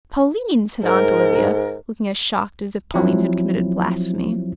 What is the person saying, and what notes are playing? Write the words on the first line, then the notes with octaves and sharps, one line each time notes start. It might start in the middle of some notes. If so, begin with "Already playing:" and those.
"Pauline!" said Aunt Olivia, looking as shocked as if Pauline had committed blasphemy.
G#2 A#4
F3 F#3 C4 E4